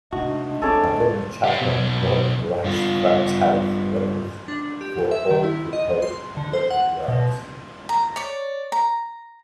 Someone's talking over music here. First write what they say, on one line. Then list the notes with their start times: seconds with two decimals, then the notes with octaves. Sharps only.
Antonio Chatman broke Rush franchise records for All-Purpose and Return Yards.
0.13 C3 G#3 A3 D4 D#4 F#4
0.62 C4 C#4 G#4 A4 C#5 D6
1.45 G4 F5
1.61 B2 F#3
2.64 G2 F4
4.48 D4
4.81 G4
5.11 E5
5.31 D#3
5.43 E4
5.73 D#5
6.02 C6
6.37 D3
6.53 C5
6.70 F#5
7.08 B2
7.89 A#5
8.16 C#5 D5
8.72 A#5